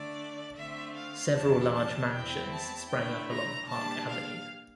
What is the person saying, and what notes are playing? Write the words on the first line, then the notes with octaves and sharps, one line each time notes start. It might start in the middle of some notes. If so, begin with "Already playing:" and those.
Several large mansions sprang up along Park Avenue.
Already playing: D3 A3 D4 D5
D3 A3 C4 E5
F5
E2 E3 G3 D4 A5
A5
E2 E3 A3 C4 E4 G5
A5
D3 A3 E4 G5
A#5
A#2 G3 D4 A5
F5